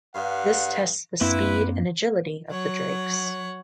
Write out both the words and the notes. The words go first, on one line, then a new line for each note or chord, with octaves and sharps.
This tests the speed and agility of the drakes.
G2 F5 F#5
F#2 A#3 C4 D4 E4 B4
F#3 C#5 F#5